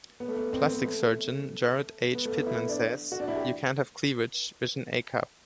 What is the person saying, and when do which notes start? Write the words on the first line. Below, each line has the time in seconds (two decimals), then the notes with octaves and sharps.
Plastic surgeon Gerard H. Pitman says, you can't have cleavage with an A cup.
0.20 B3
0.28 A3
0.36 B3
0.53 C4
0.63 C4
0.74 B3
0.85 A3
2.15 B3
2.25 A3
2.36 B3
2.47 E4
2.69 D4
3.12 F#4
3.20 D4
3.28 E4
3.36 G4